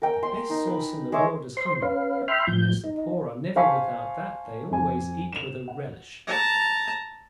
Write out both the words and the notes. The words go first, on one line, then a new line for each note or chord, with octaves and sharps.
The best sauce in the world is hunger, and as the poor are never without that, they always eat with a relish.
A#4 G5
C6
D#4
B4
G#3 C#5 E5 D6
C5 C6
C#4 B4 F5
E5 G5 B5 C6 F6
A2 F3 G6
D#4
C5 F5 G#5 A5 C#6 B6
F2 G#5
E7 F7
F#5
A5 A#5